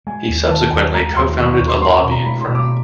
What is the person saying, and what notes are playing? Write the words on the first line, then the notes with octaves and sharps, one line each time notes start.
He subsequently co-founded a lobbying firm.
G#3 G#5
D#2
D#3 A5
D#2
G#3 A#5
D#2 C6
D#3 C#6
C#6
D#2
C6
C#4 C6
B2
A#5
G#3 B5
C6
B2
D6